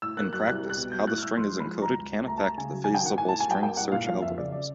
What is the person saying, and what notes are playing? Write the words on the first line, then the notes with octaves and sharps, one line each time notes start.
In practice, how the string is encoded can affect the feasible string search algorithms.
A2 E6
A#3 F#6
F#3 F#6
C2 F#6
G3
F#6
B2
F#3 G6
A2 F#6
F6
A3 E6
F3 C6
G#3
B5
F3
C#2 A#5
C#2
C#2
A3 A#5
A5
A3 A#5
C#3 G#5
F#3
G#5
F#3
G5
D#3 F#5
A2 G#5
A5
A2
G#5
F#3 G5
A#3 G5
C2 F#5
A#2 F5
F3 F5
F2 E5
C#3 D5
D5